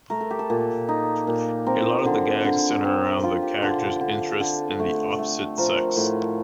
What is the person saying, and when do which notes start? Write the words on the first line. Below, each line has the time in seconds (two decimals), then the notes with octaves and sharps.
A lot of the gags center around the character's interest in the opposite sex.
0.10 A3 A#4
0.20 A4
0.31 G4
0.39 A4
0.50 A#2
0.89 D#4
1.27 A#2
1.66 C4 A#4
2.05 D3
2.44 D3
2.84 C4
3.23 C4 F4
3.42 G4
3.62 D3 A4
4.01 D3
4.40 D3
4.79 A3
5.19 A3
5.57 F3 A#4
5.96 A2